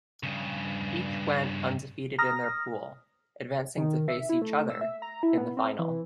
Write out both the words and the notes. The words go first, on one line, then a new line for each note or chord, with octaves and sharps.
Each went undefeated in their pool, advancing to face each other in the final.
G2 C#3
A#5 D#6 F6 A#6
D#3
E5
E4
A3
E6
E5
A#5
E4
B3
C4
E3